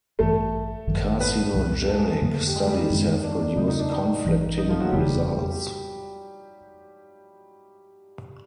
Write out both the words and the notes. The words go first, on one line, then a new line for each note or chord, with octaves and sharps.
Carcinogenic studies have produced conflicting results.
A1 G2 E3 A3 A4
G#1 F#2 D#3 F#3
B3 B4
C2 A#2 F3
A4
G#4
A3 A4
F2 D3 F#3 A#3
G4
G#3 G#4
G3 G4
D#4
F#2 D#3 G#3
D4
D4
E2 C#3 F#3 A3 D#4
D#4
D4
D#4
A1 G2 E3
D#4
F3 F4
F#3 F#4
F1 F2 C#3 F3 G3 G4